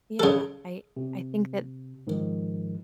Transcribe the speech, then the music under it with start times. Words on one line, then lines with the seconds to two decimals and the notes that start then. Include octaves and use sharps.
Yeah, I I think that
0.20 C#3 A4
0.97 C3
2.07 G#2 D#3 F3